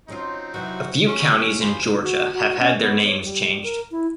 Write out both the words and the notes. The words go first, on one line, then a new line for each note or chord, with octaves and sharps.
A few counties in Georgia have had their names changed.
F#3 C4 C#4 D#4 F4
C3 E3 F#3 F#4
C#4 C#6
F4 C5 G#5 B5
F#4
F#4
C#4
B3
C#5
G3
A#4
E4